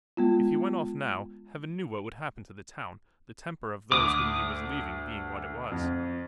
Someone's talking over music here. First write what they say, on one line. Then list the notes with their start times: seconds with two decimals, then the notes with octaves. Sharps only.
If he went off now, Heaven knew what would happen to the town, the temper of those whom he was leaving being what it was.
0.17 G#3 B3 F4
3.92 D2 D6 D#6
5.72 F2